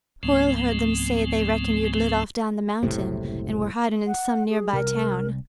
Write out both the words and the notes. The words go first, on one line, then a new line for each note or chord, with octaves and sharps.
Hoyle heard them say they reckoned you'd lit off down the mountain, and were hiding in some near-by town.
C#2 G#2 F3 A3 B3 C4
F#1 C2 A2 C3
F#5
G#4
C2 A#4